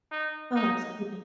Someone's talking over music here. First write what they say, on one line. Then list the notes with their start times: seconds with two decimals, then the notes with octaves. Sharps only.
Oh, absolutely.
0.12 D#4
0.56 D#4